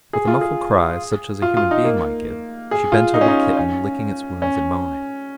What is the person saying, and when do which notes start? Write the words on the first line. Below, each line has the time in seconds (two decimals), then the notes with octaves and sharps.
With a muffled cry, such as a human being might give, she bent over the kitten licking its wounds and moaning.
0.13 G#4
0.27 F4
0.41 G#4
1.42 F4
1.57 F4
1.71 D#4
1.84 A#3
2.71 G#4
2.92 F4
3.14 D#4
3.21 C#4
3.28 D#4
3.57 C#4
4.42 C#4